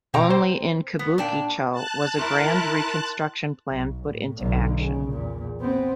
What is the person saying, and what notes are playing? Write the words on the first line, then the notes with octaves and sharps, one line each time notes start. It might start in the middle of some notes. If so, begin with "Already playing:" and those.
Only in Kabuki-cho was a grand reconstruction plan put into action.
B2 C4 G5 A#5
C5
B3
A#2 D4 G5
A5 F#6
E4 A#4 C6
B1
A2
B1 D3
C#3
E2 A#2
B3 C4